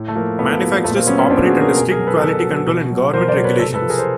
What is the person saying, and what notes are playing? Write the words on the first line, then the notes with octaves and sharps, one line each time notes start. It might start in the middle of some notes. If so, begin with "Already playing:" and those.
Manufacturers operate under strict quality control and government regulations.
Already playing: A2
A3
F3 A#3
A2 A3 B3
F3
A#2 A3 B3
A#3 C4
F#3 B3 C#4
B3 C#4
A#2 C4 D4
F#4 G#4
F#3
G#4 A#4
B2 G#4 A#4
G#4 A#4
F#3
A4 B4
B2 A4 B4
F#3
B2
F#3
B2 A#4 C5
C5 D5
F#3
B4 C#5
C3 A4 B4
A4 B4
F3
G#4 A#4
C5